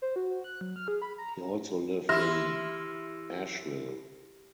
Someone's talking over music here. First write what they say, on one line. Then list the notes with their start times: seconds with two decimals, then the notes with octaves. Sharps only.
He also lived in Asheville.
0.02 C5
0.16 F#4
0.44 F#6
0.61 F#3
0.76 F6
0.88 G#4
1.02 B5
1.18 A#5
2.09 E3 E4 G4 E5 C6 F6 A#6